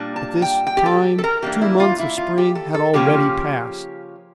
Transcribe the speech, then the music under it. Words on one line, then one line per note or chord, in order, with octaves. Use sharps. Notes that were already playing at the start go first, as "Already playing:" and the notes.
At this time two months of spring had already passed.
Already playing: A#2 G3 A#3 D4
A5
G5
G5
G4
A4
A4
A#4
E3 A#3 D4 G4
E4
F4
E4
F4
G4
A4
A4
C#3 F3 A#3 C#4 G4